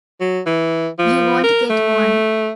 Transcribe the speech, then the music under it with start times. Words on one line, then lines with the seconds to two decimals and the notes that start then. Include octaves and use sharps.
You won't get one.
0.20 F#3
0.46 E3
0.99 F3
1.44 A#4
1.70 A3